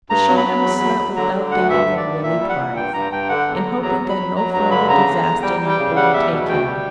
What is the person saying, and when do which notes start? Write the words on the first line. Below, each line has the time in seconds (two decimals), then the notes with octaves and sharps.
But she never slept without thinking of Willie Price, and hoping that no further disaster might overtake him.
0.10 G2 A#5
0.28 F#3
0.37 B5
0.46 F#3
0.63 E2
0.81 F#3
0.99 F#3
1.16 D3 A#5
1.34 D3
1.51 D2 F#5
1.70 G2 E5
1.87 G2
1.97 D5
2.06 G2
2.23 A#2 E5
2.40 G3
2.49 F#5
2.58 A#2
2.76 G2 G5
2.94 G2 A#5
3.12 G2 G5
3.29 D3 F#5
3.48 E2
3.56 A#5
3.65 E2
3.82 F#3 A#5
4.01 F#3
4.09 B5
4.18 F#3
4.36 F#3 A#5
4.54 G2 A#5
4.71 D3 B5
4.89 C#3 A#5
5.07 E2
5.25 E2
5.42 G3 G5
5.61 G3
5.69 G5
5.78 C#3
5.96 G3 F#5
6.13 E2 E5
6.31 B2
6.48 D2 G5
6.67 G3